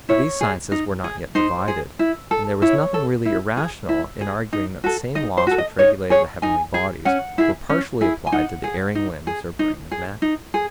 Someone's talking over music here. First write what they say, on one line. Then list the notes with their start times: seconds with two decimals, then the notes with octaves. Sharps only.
For the sciences were not yet divided, and there was nothing really irrational in arguing that the same laws which regulated the heavenly bodies were partially applied to the erring limbs or brain of man.
0.09 E4 C#5
0.41 G#4
0.72 D#4
1.04 G#4
1.35 D#4 C5
1.68 G#4
1.99 E4
2.31 A4
2.62 E4 C#5
2.94 A4
3.25 E4
3.57 G#4
3.89 E4
4.21 G#4
4.53 D#4
4.84 F#4 A4
5.15 D#4 D#5
5.37 C5
5.47 F#4 A4
5.58 D#5
5.79 D#4 C#5
6.10 G#4 C#5
6.42 D#4 G#5
6.74 G#4
7.05 C#4 F#5
7.38 E4 G#4
7.70 C#4
8.01 E4 G#4
8.27 G#5
8.32 D#4 F#5
8.64 G#4
8.95 D#4
9.27 G#4
9.59 D#4
9.91 G#4
10.22 D#4
10.54 G#4